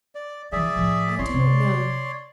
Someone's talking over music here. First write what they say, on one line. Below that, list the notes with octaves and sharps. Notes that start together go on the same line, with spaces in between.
I do not know.
D5
D#3 E3 G#4 D5 E5
A2 F3
C4 E4 C#5 D5 C6
C3